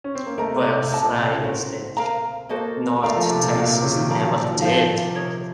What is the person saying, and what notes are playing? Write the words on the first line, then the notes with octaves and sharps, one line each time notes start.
While Fry was there, North Texas never did.
C#4
C4
A#3
A3 A#4 D#5 A#5
C3
C3
C3 A4 D#5 F#5 A5
A#2
C3
C#3
C4 C#4 F#4 A#4
A#4 F5 A#5
A#3 F#4 A4 C5 D#5
A3 D#4 A#4 F5 A#5
F3
C3
A#2
A#2 F#4 A#4 F5
C3
C#3
D#3
F3 D#4 A#4 F5 A#5
F#3
F3
F3
D#3
F3 A4 C5 F5
D#3
C3
D#4 A#4 C#5